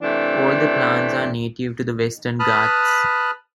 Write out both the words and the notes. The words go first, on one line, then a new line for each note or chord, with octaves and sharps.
All the plants are native to the Western Ghats.
C3 E3 A3 D4
B4 A5 B5 D#6 F6 F#6